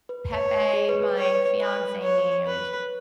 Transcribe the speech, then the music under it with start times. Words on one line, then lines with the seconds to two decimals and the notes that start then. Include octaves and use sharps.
Pepe, my fiancé named.
0.09 B4
0.31 C#5
0.73 G#4
0.89 B4
1.02 B4
1.17 B4 C#5
1.60 B4
2.03 C#5
2.46 B4